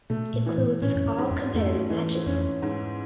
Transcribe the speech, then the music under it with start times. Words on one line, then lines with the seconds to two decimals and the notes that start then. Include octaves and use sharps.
Includes all competitive matches.
0.10 B2 A3
0.34 A#2
0.46 E3
0.58 A2
0.82 A2 C#4
0.96 F#2
1.06 G2
1.18 G#2
1.31 F2
1.54 F2 A3
1.90 E3
2.26 F2 C#4
2.62 G#2